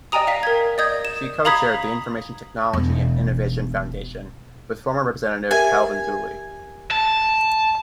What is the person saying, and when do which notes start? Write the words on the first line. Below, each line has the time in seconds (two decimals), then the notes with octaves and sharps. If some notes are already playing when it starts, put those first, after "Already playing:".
She co-chaired the Information Technology and Innovation Foundation with former Representative Calvin Dooley.
0.12 D5 D#5 G5 G#5 A#5 D#6
0.27 F5 B6
0.43 A#4 G#6
0.78 D5 D#5 D#6 G6 G#6
1.05 E7
1.45 F5 A#5 B5 D#6 G#6 B6
2.73 E1 E2
5.51 G4 A#4 E5 G#5
6.91 A5